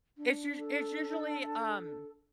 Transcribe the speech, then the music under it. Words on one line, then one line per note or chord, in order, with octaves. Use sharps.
it's usu it's usually, um,
D4
A4